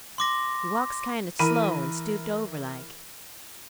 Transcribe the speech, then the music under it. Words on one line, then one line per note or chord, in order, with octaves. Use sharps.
"He walks kind of slow and stooped over, like."
C6 D6 A#6
E3 A#4 B5 D#7